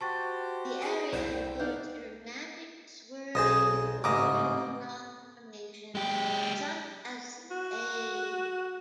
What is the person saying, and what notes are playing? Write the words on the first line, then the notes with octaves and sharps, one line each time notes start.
The area includes dramatic swirling erosional rock formations such as The Wave.
F#4 G4 C5 A5 C#6 A6
G#4 G#5
C2 C5 D5
G5
D#4 A4 D5 F5 F#5 G6
B1 G#4 C5 D#5
A1 G#2 C#3 D#5 D6
G#3 G4
F#4